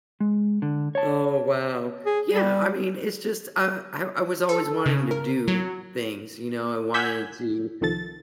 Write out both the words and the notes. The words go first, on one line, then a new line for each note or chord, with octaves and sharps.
Oh wow. Yeah, I mean, it's just, uh, I I was always wanting to do things, you know, I wanted to
G#3
D3
C#5 A5
G#4
G3
A4
C#3
A#4
F#3
F#5 G#5 E6 G6 G#6 B6
C2 D#3 F3 A4 A6